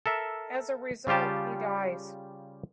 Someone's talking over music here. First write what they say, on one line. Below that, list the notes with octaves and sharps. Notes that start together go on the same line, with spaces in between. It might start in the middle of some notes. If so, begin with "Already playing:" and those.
As a result, he dies.
A4 A#4 E5
C#3 G3 F4 G4 A5